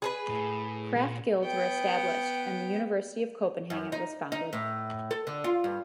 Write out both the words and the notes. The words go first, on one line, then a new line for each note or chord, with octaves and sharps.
Craft guilds were established and the University of Copenhagen was founded.
G#4 A4 B4
A2
A#2
B3 G5
F#2
D#4
D#4
A2
A4
D3
F4
G2